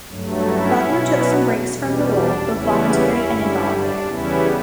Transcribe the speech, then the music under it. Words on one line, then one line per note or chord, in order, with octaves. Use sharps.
Wagner took some breaks from the role, both voluntary and involuntary.
G2 F#3 A3
C#4 E4
B2 F#3 B3
E2 B2 G3
D4
E2 C#3 G3 B3 C#4 E4
G2 D3 G3
D4
E2 C#3 G3 B3 C#4 E4